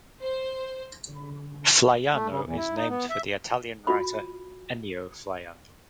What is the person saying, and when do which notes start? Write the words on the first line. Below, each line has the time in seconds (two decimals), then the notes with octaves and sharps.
Flaiano is named for the Italian writer Ennio Flaiano.
0.21 C5
2.13 A3
2.28 C#3
2.43 E2
2.56 E4
2.76 D#4
2.88 B3
3.10 E5
3.87 F4 F#4 B5